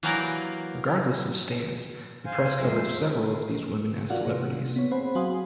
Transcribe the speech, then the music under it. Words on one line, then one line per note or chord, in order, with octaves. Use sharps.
Regardless of stance, the press covered several of these women as celebrities.
E3 F#3 A#3 G4 A#4 D5
C5 F5 G#5
F2 G#3 C5 E5
F4 F#4 A#4 D5 F5 F#5
C3 A#3
B3 C#5
C4 G#4 C5 F#5 B5
F#3 F#4 F5 G#5 C6 D#6